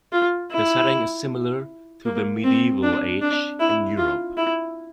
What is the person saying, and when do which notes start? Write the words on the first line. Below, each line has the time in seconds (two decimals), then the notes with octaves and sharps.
The setting is similar to the medieval age in Europe.
0.13 F4
0.51 E4
2.06 A#3
2.44 C4
2.83 D4
3.22 D4
3.60 E4
3.98 F4
4.37 E4